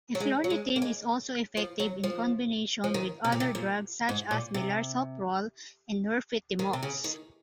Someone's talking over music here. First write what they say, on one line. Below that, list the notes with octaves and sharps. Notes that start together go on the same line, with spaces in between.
Eflornithine is also effective in combination with other drugs, such as melarsoprol and nifurtimox.
F#3
G#3
F#3
G#3
A#3
G#3
F3
F#3
F3
F3
D#3
C3
A#2
C3
A#2
G#2
A#2
C3
D#3
C3
C#3
D#3